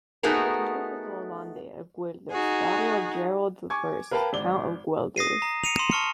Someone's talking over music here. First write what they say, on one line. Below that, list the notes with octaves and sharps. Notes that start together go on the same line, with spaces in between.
He was married with Yolande of Guelders, daughter of Gerard I, Count of Guelders.
A3 B3 D#4 F#4 G#4 A#4
D#4 F#4 G#4
G#5 C#6 D6 G#6
A#4 B4 F5 G5 A5 B5
G#1 D5 G7
D#6 A#6 C7 D#7
A#5
C#7 D#7 F7
C6 E7
A5 C#6 F6 C#7